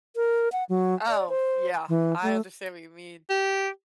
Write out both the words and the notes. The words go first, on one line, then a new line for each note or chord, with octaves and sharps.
Oh, f yeah, I understand what you mean.
A#4
F#5
F#3
D5
C5
E3
A3
G4